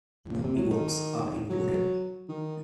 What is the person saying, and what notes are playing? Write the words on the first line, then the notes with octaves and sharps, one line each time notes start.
No Ewoks are included.
A#2
C3
F#3
D#3
F#3
D#3